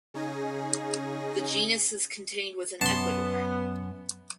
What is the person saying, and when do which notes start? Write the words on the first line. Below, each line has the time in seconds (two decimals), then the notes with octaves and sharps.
The genus is contained within Ecuador.
0.14 C#3 C#4 D#4 G#4 G#5 A#6
2.81 F#2 B3 A5 C6